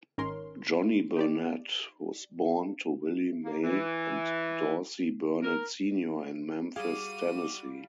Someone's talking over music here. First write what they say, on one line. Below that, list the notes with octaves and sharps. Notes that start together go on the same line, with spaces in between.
Johnny Burnette was born to Willie May and Dorsey Burnett Senior in Memphis, Tennessee.
G#1 D#3 C#4 A#4 C6
D#4 G4 D5
A#3
E3
A#4
G3 F#4 G#4 F5 D6 D#7